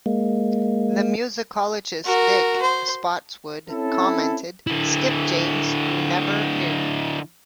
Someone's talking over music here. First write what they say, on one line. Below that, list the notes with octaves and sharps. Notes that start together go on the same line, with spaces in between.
The musicologist Dick Spottswood commented, Skip James, you never knew.
G#3 A#3
F#4 A#4
C5
C4 C#4 E4 A4
D3 E4